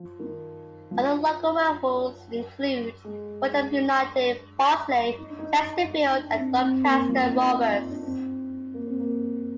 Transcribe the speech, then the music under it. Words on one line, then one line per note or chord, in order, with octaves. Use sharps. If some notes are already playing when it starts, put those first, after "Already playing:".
Other local rivals include Rotherham United, Barnsley, Chesterfield and Doncaster Rovers.
Already playing: F3
D#3
F3
G#3
D4
D4
D#4
D4
D#4
D#4
D4
D4
C4
C4
A#3
F3
F4
D#4
D4
C4
A#3
C4
A#3